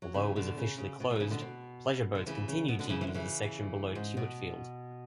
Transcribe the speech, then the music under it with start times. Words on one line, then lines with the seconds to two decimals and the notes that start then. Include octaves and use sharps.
Although it was officially closed, pleasure boats continued to use the section below Tewitfield.
0.02 F#3
0.14 C#3 E3
0.36 B2 D3
0.58 C#3
0.78 C#3
1.00 B2
1.10 B2
1.15 F#3
1.20 C#3 E3
1.31 B2 D3
1.41 B2
2.15 D3
2.26 C#3 E3
2.48 C#3
2.68 B2
2.79 B2 D3
2.89 C#3 E3
3.01 E3
3.07 D3
3.14 C#3 E3
3.95 G#2
4.17 B2